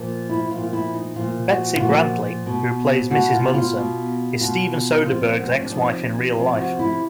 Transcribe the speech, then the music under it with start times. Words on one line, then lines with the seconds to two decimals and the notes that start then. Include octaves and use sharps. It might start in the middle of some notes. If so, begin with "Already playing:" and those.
Betsy Brantley, who plays Mrs. Munson, is Steven Soderbergh's ex-wife in real-life.
Already playing: A#2 F3
0.29 E4
0.50 A#2 F3 F4
0.63 F4
0.73 E4
0.94 D#4
1.16 A#2 F3 F4
1.48 F#4
1.76 F4
1.80 A#2 F3 F#4
2.46 B2
3.11 B2 F#4
3.32 F4
3.54 F4
3.76 B2
4.41 B2 F4
5.06 C3 F3 F4
5.38 B3
5.46 C4
5.55 C#4
5.63 D4
5.71 C3 F3 D#4
6.36 C3 F3 E4
6.57 F#4
6.79 E4